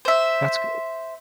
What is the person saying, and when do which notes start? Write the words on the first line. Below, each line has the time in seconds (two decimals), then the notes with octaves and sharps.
That's good.
0.05 C5 E5